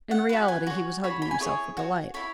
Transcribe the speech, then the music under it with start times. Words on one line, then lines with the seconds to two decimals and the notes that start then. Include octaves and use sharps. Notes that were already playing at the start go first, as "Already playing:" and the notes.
In reality he was hugging himself with delight.
0.11 F#5
0.29 F#4 B4 F#5
0.48 G#5
0.67 F#4 C#5
1.04 F#4 C#5 B5
1.22 B5
1.31 G#5
1.40 E4 G#4 C#5
1.77 F#4 C#5
2.14 E4 C#5 B5